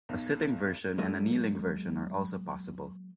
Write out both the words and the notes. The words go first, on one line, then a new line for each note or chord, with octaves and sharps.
A sitting version and a kneeling version are also possible.
B1
F#3 G#3 A#3 A4 D#5